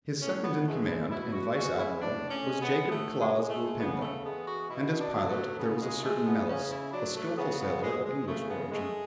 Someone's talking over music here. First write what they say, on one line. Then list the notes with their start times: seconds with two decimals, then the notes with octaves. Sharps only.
His second in command and vice-admiral was Jacob Claaz d'Ulpenda, and as pilot there was a certain Melis, a skilful sailor of English origin.
0.21 A2 C#4
0.44 B3
0.66 E3 G#3 A3
0.88 E4
1.11 B2 E4
1.33 F#4
1.56 G#3 F#4
1.79 E4
2.01 A2 D4
2.31 C#4
2.46 G#3
2.61 B3
2.90 A2 A3
3.21 G#3
3.35 G#3
3.50 A3
3.80 C#3 B3
4.02 A3
4.25 E3 G#3 B3
4.47 F#4
4.70 B2 E4
5.00 D4
5.15 F#3
5.29 A3
5.59 C#3 B3
5.81 G#3
6.03 G#3 A3
6.26 B3
6.48 C#3 C#4
6.71 E4
6.93 F#3 D4
7.16 A3
7.38 C#3 B3
7.60 B3
7.83 G#3
8.05 G#3
8.28 C#3 A3
8.50 B3
8.72 G#3 A3